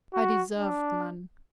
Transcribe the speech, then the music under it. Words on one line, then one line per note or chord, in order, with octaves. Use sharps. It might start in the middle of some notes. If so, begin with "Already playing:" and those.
I deserved none.
F#4
D4